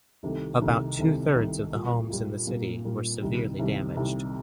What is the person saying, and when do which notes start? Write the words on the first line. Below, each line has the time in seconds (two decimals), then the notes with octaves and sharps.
About two thirds of the homes in the city were severely damaged.
0.23 C2 C3 D#3 A3
0.61 C2 C3 D#3 A3
0.98 C2 C3 D#3 A3
1.35 C2 C3 D#3 A3
1.72 A#2 G3 A#3 F4
2.10 A#2 G3 A#3 F4
2.47 A#2 G3 A#3 F4
2.85 A#2 G3 A#3 F4
3.22 C2 C3 D#3 G3
3.59 C2 C3 D#3 G3
3.97 C2 C3 D#3 G3